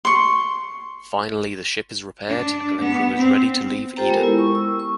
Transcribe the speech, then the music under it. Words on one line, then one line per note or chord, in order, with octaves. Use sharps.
Finally the ship is repaired and the crew is ready to leave Eden.
C6 C#6
D4
B3
C4
F4 G4 A4 C5 G5 A#5
G#3 B3 G4 A#4
E4
C#6
E6
C#6